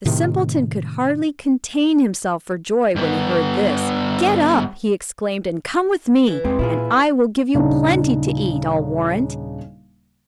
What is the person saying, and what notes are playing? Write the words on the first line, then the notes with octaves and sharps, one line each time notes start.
The simpleton could hardly contain himself for joy when he heard this. "Get up," he exclaimed, "and come with me, and I will give you plenty to eat, I'll warrant."
A2 C3 D#3
G2 B3
E3
E2 G3 G#3 C4
A#2 E4 F4 G#4
D#1 C#3 D4 D#4